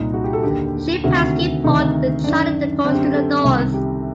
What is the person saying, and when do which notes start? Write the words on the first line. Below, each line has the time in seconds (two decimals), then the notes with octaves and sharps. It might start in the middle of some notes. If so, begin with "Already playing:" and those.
The ship passed Cape Horn, then charted a course to the north.
Already playing: C2 A#2 D#4
0.14 F#4
0.24 G4
0.33 A4
0.43 D#2 D3 G4
1.04 D2 C3 D#3 F#4
1.64 D2 C3 D#3 D#4
2.24 F#2 D#3 D4
2.84 F#2 C4
2.87 D3
2.94 G4
3.04 G4
3.14 A4
3.44 C2 C3 D#3
3.74 G4